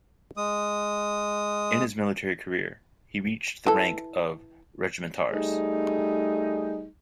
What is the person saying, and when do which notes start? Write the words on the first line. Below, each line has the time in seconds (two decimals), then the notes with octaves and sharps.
In his military career, he reached the rank of regimentarz.
0.37 G#3 D#6
3.67 E3 A4
5.32 G3 A3 D#4 G#4